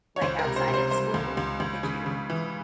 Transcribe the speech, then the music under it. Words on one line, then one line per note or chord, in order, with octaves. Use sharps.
like, outside of school? Did you
C#5
C#2 C5
A#4
C3
C5
C3
C5
G3 C5
C#2
C#2
C#2
C#3
C#3
E3